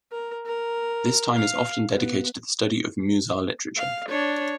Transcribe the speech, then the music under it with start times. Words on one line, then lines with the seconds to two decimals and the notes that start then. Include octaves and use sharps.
This time is often dedicated to the study of Musar literature.
0.11 A#4
0.46 A#4
1.36 F5
1.96 B3
3.76 F5
4.09 D4 C#5